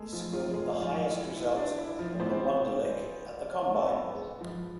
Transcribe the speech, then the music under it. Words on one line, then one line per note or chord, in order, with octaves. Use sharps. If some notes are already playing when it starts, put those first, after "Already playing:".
He scored the highest result on the Wonderlic at the combine.
Already playing: G#3 A3 B3 G#4 A4
F3 F4
F3 F4
G#3 G#4
F3 F4
E4
E4
D4
E4
F3 F4
E3 B3 C4 C5
A4
B3 B4
G#3 G#4
F3 F4